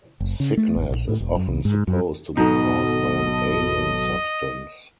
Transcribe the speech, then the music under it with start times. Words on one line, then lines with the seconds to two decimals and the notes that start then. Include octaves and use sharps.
Sickness is often supposed to be caused by an alien substance.
0.20 F#1
0.40 C#3
0.57 A3
0.76 G#1
0.89 A#1
1.09 A2
1.20 E1
1.36 F#2
1.48 C2
1.65 G#2
1.88 F#2
2.37 G#1 B2 F#3 D#4 A4 D#5